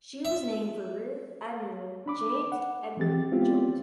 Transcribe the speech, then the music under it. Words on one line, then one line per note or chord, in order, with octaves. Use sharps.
She was named for Rear admiral James Edward Jouett.
E5
D4 B5 D6
F#5
E3 F3 C4 G4 A6
G#3 B3 C4 E4 F4 G4